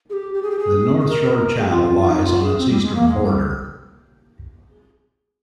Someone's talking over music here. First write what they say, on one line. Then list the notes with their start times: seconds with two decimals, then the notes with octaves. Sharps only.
The North Shore Channel lies on its eastern border.
0.10 G#4
0.13 G4
0.34 G4
0.43 G#4
0.51 G4
0.59 G#4
1.00 G#4
1.09 A#4
1.58 G#4
1.65 G4
1.71 F4
1.83 F4
1.95 F4
2.08 D#4
2.25 F4
2.41 G#4
2.58 C4
2.70 G3
2.83 G#3
2.95 A#3
3.08 G#3
3.25 G3